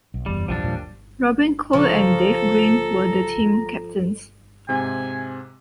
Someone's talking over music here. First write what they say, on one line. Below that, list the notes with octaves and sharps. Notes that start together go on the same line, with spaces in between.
Robin Cole and Dave Green were the team captains.
B1
F#1 E2 G3
A#1 E2 F3 G3 D4
D#2 A#2 A#3
C#3 F3 A4 A#5 C#6
G#2 C3 G#5